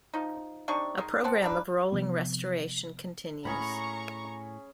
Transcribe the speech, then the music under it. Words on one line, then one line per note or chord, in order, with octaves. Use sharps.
A programme of rolling restoration continues.
F3 D#4
C3 D4 D#4 C#6
D#3 G#3 D#4
C4 C5 F#5 A5
A#3 D4 B4
C3 F3 B3
A2 C#4 G#4 A#5 B5 C#6